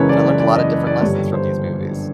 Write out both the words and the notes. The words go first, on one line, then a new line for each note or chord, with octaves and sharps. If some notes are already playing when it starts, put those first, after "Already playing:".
you know, learned a lotta different lessons from these movies.
Already playing: F#1 F#2 C#3 E3 G#3 B4 C#5
D5
D5
D5
D#5
D5
D5
G1 G2 D3 G3 C#5
C5